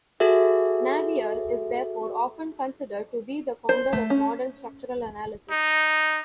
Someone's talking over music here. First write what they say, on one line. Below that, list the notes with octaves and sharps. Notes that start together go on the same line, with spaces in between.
Navier is therefore often considered to be the founder of modern structural analysis.
F#4 G#4 A4 E5
C5
A3
C#4
D#4